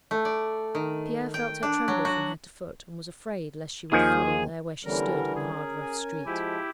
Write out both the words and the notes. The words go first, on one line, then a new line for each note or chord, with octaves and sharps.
Pierre felt her tremble from head to foot, and was afraid lest she would fall, there where she stood, in the hard rough street.
A3
D5
D#3
G5
D4
F#3
F#4
D#2 D#3 F3 G#4 G#5
D3 E3 G3 B3 C#4 A#4
C#4 G#4 A#4
G#5
F3 G#3 E4 G4